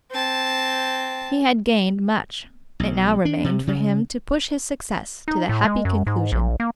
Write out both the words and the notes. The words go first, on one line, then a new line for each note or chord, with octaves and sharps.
He had gained much; it now remained for him to push his success to the happy conclusion.
C4 A5
B1
D4
C3
C#3
D#4
A2
G#3
F#2
G#2
A#1
A#3